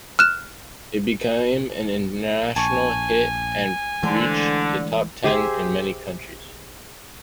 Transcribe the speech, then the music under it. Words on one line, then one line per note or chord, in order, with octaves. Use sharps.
It became an international hit and reached the top ten in many countries.
F6 F#6 E7
A#1 G#5 A5 C#6
D3 E3 G#3 A3 C5
G4 G#4 C5 E5